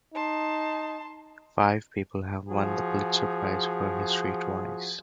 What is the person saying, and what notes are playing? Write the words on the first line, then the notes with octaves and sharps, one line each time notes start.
Five people have won the Pulitzer Prize for History twice.
D#4 A5 C6
F3 F#4 G#4